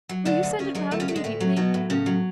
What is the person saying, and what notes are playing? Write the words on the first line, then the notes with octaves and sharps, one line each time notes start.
"Will you send it round immediately?"
F#3
D2 D3 D4
D2
D2 C#3 C#4
F#3 G#3
D2 A3
C#3 C#4
D2 A3
G#3
A2 A3
F#3
B2 F#3 B3
A2
A2 C#3 C#4
F#3